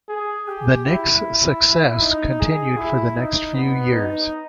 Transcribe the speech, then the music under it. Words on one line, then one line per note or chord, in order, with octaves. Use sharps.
The Knicks' success continued for the next few years.
G#4
G4
E4
D#4
G#4
E4
D#4
B3
D#4